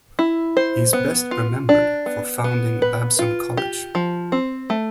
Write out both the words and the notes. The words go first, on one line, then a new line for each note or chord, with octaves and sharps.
He is best remembered for founding Babson College.
E4
C5
B3
F4
D4
B3
B3
B4
F4
G4
F3
C4
A3